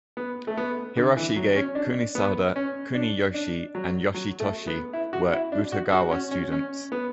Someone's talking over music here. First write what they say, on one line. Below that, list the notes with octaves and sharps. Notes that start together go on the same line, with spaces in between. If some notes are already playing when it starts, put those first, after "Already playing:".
Hiroshige, Kunisada, Kuniyoshi and Yoshitoshi were Utagawa students.
B3
A3
B3
D3
E3
F#3
C#4
D4
B3
C#4
D4
D4
F#3
F#3
A3
B3
E4
F#4
E4
D4
F#4
F#4
C#4
C#4
C#4
B3